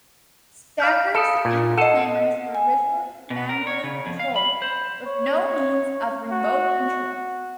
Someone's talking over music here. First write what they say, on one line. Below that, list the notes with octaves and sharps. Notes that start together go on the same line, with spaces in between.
Stackers and reclaimers were originally manually controlled, with no means of remote control.
F5 F6 G6
A4 F5 D#6
A#2
A4 D#5 F#5
G#5
B2
A#4
C#5
C#3
F2
F5
B5
C5
C#5
F#4